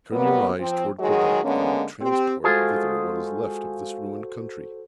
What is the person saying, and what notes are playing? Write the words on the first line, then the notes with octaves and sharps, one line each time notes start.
Turn your eyes towards Quebec, and transport thither what is left of this ruined country.
C3 F#3 G3 A#3 B3
F3 C4
D#3 F#3 G#3 F#4 G#4
D3 G#3 A#3 B3 C#4
C4 G4
G#3 F4 F#4 G#4 A4 C5